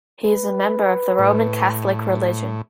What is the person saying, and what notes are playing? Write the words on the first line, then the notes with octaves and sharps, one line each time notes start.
He is a member of the Roman Catholic religion.
B4
A2